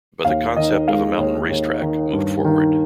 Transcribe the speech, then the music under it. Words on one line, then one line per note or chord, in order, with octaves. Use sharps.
But the concept of a "mountain race track" moved forward.
D#2 F5
D#3 D#5
G#3 F5
D#2
D#2
D#3
G2
D#3